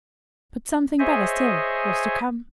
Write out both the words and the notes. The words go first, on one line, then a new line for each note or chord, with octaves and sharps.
But something better still was to come.
G#4 C5 C#5 D#5 E5 G#5